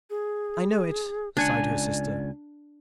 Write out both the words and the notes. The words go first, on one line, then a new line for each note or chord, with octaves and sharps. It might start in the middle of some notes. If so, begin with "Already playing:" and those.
"I know it," sighed her sister.
G#4
C#2 D4 D5 F#5 G#5